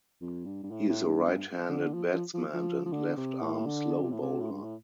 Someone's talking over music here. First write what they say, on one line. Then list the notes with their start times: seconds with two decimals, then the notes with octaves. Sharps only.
He is a right-handed batsman and left-arm slow bowler.
0.21 F2
0.46 G2
0.63 G2
0.71 A2
0.89 A2
1.07 G2
1.26 G2
1.69 D3
1.94 F3
2.14 F3
2.34 F3
2.54 F3
2.86 F3
2.93 D3
3.17 C3
3.41 A2
3.66 D3
4.03 C3
4.12 A2
4.21 C3
4.40 A2
4.52 G2
4.63 A2